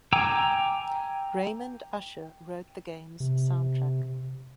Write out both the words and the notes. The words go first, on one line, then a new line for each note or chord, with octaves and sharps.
Raymond Usher wrote the game's soundtrack.
G5 G#5 A#5 D6 E6
C3